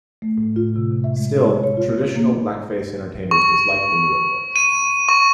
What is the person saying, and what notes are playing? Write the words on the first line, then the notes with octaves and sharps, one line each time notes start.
Still, traditional blackface entertainers disliked the new approach.
A3
A2
F4
C3
C3
E5
G#3
C#5
C#5
F4
A#3
C#6
D#7
C#6